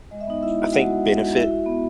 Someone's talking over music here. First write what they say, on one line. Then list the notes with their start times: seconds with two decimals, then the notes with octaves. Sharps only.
I think, benefit
0.11 G#3 D#5
0.21 E5
0.27 B3 D#4 D#5
0.42 G#3 E4 E5
0.59 F#4
0.73 G#3 F#4 F#5
0.90 B3
1.05 G#3
1.21 F#4
1.36 E4 E5
1.51 E4
1.66 B3